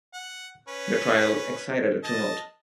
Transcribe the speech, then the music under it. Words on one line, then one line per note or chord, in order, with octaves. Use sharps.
The trial excited a tumult.
F#5
C#4 B4
D#5 A5